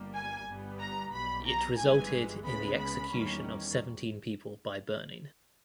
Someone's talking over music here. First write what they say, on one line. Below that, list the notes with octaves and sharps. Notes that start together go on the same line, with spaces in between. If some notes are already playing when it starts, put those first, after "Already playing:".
It resulted in the execution of seventeen people by burning.
Already playing: G1 G2 G3 A#3
G#5
G1 G2 G3 B3
A#5
B1 B2 G3 B5
A#5
G1 G2 E3 G#3 G#5
C#2 C#3 G#3 B3 B5
B5
E2 D#3 G3 A#3 C#4